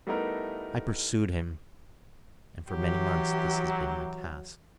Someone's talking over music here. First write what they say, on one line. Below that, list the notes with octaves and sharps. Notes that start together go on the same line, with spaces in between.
I pursued him, and for many months this has been my task.
G3 A3 B3 D#4 E4 A#4
E3 F#3 G4